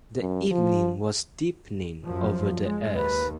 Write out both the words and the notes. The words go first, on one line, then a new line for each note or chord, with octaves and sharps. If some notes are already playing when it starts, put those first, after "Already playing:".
The evening was deepening over the earth.
F#2
F3
F#2 F3
G#3
D#2 B4